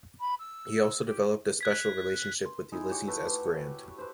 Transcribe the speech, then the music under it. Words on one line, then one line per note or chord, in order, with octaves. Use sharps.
He also developed a special relationship with Ulysses S. Grant.
B5
E6
G4
F#6 G#6 B6
C6
G#3 D#4 E4
F#4 G4 C#5
A3 B4 E5
B4 C5